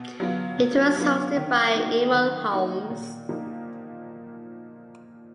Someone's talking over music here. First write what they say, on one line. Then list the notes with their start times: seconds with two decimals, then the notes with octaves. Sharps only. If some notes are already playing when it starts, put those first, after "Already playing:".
It was hosted by Eamonn Holmes.
Already playing: B2
0.20 F#3 B3 F4
0.58 B2
0.97 F#3 B3 F4
1.36 D#3
1.75 A#3 D#4 F#4
2.13 D#3
2.52 A#3 D#4 F#4
2.90 A#2
3.29 F3 A#3 D#4